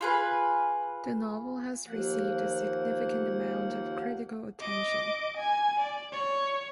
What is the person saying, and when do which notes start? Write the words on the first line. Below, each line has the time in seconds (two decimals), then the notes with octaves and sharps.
The novel has received a significant amount of critical attention.
0.01 F4 G#4 B4
1.87 D#2 F3 A#3 F#5
4.61 D#5 D6
5.38 G#5
5.80 D5
6.12 C#5